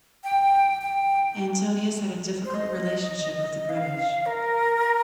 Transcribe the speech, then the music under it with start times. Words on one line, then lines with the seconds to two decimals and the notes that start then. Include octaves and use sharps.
Antonius had a difficult relationship with the British.
0.24 G5
0.82 G5
2.45 C5
2.54 D#5
3.69 F5
4.26 A#4